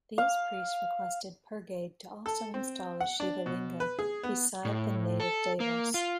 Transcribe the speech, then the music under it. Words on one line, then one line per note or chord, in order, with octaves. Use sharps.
These priests requested Pergade to also install a Shivalinga beside the native Daivas.
F5
A4
C4
F#5
D4
B2
B4
G#4
B3
A2
A4
A#3
F4